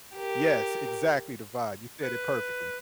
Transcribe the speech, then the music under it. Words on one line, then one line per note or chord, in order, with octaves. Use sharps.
Yes, exactly the vibe, you said it perfectly.
G4 A#4
B4